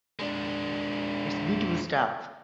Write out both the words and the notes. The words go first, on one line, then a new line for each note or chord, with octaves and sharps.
It’s beautiful stuff.
G#3 D4